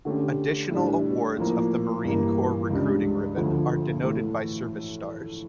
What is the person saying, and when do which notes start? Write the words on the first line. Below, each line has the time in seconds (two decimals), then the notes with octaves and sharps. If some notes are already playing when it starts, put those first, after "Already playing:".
Additional awards of the Marine Corps Recruiting Ribbon are denoted by service stars.
0.05 D3 A3 C#4 G4
0.71 A2 G3 D4
1.37 A2 F3 A#3
2.04 G2 E3 A#3
2.70 C#2 C#3 G3 D4
3.36 D2 D3 F3 A3
4.02 A2 E3 A3